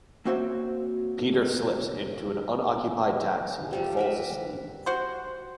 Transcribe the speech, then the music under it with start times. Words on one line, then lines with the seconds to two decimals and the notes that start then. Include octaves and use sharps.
Peter slips into an unoccupied taxi and falls asleep.
0.25 A#3 C4 F#4 C5 C#5 E5
3.71 F3 G3 A3
3.97 A#4 B4 E5
4.86 F#4 C5